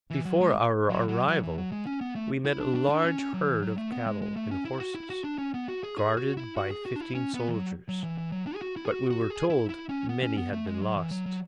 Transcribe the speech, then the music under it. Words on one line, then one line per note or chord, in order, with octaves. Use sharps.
Before our arrival we met a large herd of cattle and horses, guarded by fifteen soldiers; but we were told many had been lost.
E3
F#3
G#3
F#3
F#3
F#3
E3
F#3
G#3
C#4
B3
A3
E4
D4
D4
D4
C#4
C#4
F#3
F#3
E3
F#3
A3
B3
G#3
G#3
A3
C#4
E4
F#4
E4
F#4
D4
C#4
B3
F#4
G#4
G#4
F#4
E4
F#4
G#4
F#4
D4
E4
C#4
B3
E3
F#3
F#3
E3
E3
F#3
D4
G#4
F#4
E4
G#4
F#4
F#4
F#4
G#4
E4
E4
C#4
B3
C#4
B3
A3
G#3
F#3
E3
F#3
F#3